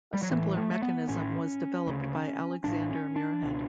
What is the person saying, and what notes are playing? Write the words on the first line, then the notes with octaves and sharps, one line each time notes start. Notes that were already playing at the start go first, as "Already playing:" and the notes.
A simpler mechanism was developed by Alexander Muirhead.
G3
F#3
A1 A2 E3
A3
A3
B3
A1 A2 C#4
D2 C#3
A1 A2 D4
C#4
D4
C#2 B2